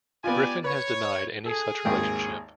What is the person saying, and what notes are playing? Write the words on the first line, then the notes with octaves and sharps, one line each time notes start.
Griffin has denied any such relationship.
B3 F4 G4 D5 G#5
B4 C#5
G#4 A4
G#1 D#2 G5